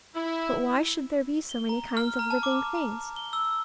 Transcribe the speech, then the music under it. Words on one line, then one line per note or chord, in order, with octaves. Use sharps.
But why should there be so many kinds of living things?
E4
G7
A#5
F6
A#5
A5
D6
A#5
G7
E6